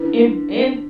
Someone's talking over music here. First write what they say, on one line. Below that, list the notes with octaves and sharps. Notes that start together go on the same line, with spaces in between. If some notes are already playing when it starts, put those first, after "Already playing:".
In in
Already playing: D3 C#4 E4 B4